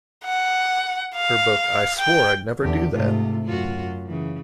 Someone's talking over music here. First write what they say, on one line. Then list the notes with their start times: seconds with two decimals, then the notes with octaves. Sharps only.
Her book I Swore I'd Never Do That!
0.25 F#5
1.15 F5
1.99 G5
2.60 E2 D3 G4
2.92 G#2 C3 A3 F4
3.45 F#2 F4 F#4
4.06 C#3 E3